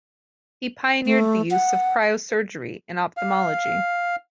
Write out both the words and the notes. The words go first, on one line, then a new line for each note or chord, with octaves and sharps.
He pioneered the use of cryosurgery in ophthalmology.
A3
F#5
F5